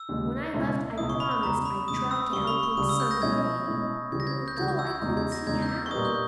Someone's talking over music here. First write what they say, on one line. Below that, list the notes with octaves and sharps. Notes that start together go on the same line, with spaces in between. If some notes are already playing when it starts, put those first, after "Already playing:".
When I left I promised I'd try to help him someday, although I couldn't see how.
Already playing: E6
D#2 C#3 G#3
C#2 B2 G#3 C#4 E4
C#2 B2 G#3 C#4 E4 D#6
C#6
B5
B5
E2 C#3 G#3 A#5
B5
E2 C#3 G#3 D#6
E6
C#2 C#3 G3 C#6
B5
C#6
C#2 C#3 G3 D#6
E6
G6
A#6
B2 G#3 C#4 E4 G#6
B2 G#3 C#4 E4
C#2 C#3 E3 G3 G#6
A#6
G#6
G6
C#2 C#3 E3 G3 G#6
G6
E6
G#6
G6
E2 C#3 G#3 D#4
G#6
A#6
E2 C#3 G#3 D#4 G#6
G6
E6
C#6
A#2 G3 B3 D#4 D#6
G6